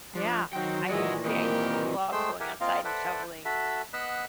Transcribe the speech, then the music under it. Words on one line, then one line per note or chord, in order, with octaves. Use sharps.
Yeah, I agree, I used to love going outside and shoveling,
F3 D4
D#3 F#3 C4 F#4 C5 G5
A#2 D#3 E3 G#3 F#4 D#5 E5
A#3 C4 G4 A#4 B4 D#5
G#3 A3 C5 G5 C6 E6
G4 A#4 E5 F#5 G#5
A#3 C4 F4 A#4 D#5 F5
A4 B4 C5 D5 E5 F#5
F#4 A4 E5 B5
B3 D#5 F#5 B5 E6 F#6